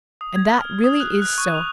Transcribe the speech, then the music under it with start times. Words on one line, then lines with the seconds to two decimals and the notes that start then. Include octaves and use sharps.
And that really is so.
0.21 D#6
0.36 G#6
0.59 F6
0.84 D#6
1.00 F#6
1.22 F#6
1.38 C#6
1.54 F7